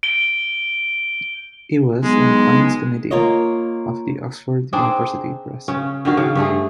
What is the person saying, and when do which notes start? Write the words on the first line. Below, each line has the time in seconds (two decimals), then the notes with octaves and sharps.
He was on the finance committee of the Oxford University Press.
0.03 D7 G7
2.02 B1 G#3
3.11 A#3 F4 C#5 D#5
4.73 C4 D4 D#4 G#4
5.68 C#3 C#4
6.05 D3 D#3 F#4 F5
6.17 C#3
6.35 G2 D3 A3 G#4